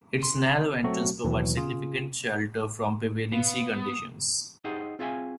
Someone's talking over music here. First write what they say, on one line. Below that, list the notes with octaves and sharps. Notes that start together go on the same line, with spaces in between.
Its narrow entrance provides significant shelter from prevailing sea conditions.
C6
F#3 A3 C4 F#4 A4
D#2 B2 E3 F#3
C#3 F4 G#4
B3 F5
D#6
D#4 G4 G#4 C5 D#5 F#5
C4 F4 G#4 E5 F5 G#5